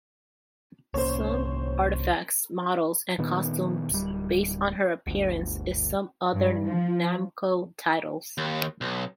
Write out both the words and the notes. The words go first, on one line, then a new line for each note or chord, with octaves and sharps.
Some artifacts, models and costumes based on her appeared in some other Namco titles.
C2 A#3 C#4 C5 C#5
A#2 D#3 B3
D1 G3
G1 D2
G2
F3
D#2
B1